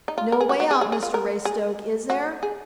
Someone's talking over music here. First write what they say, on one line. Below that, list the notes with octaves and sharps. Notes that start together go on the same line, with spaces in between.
"No way out, Mr Raystoke, is there?"
D#4
F4
A#4
G#4
F#4
F#4
G#4
G#4
G#4
F4
A#4
G#4
F#4
G#4